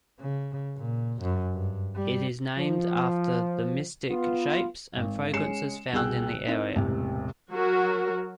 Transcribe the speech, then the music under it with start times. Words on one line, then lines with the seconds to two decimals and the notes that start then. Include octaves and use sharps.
It is named after the mystic shapes and fragrances found in the area.
0.21 C#3
0.77 A#2
1.21 F#2
1.53 G2
1.95 G3
2.57 F3
4.10 B3 F4
4.97 G#1
5.33 G#3 C#4 C7 C#7 E7
5.93 C2 B2 G#4 G5 E6 F#6
6.47 C4 D#4 E4 A#4 D#5
6.75 E1 A1 C3
7.51 F#3 F#4 A#4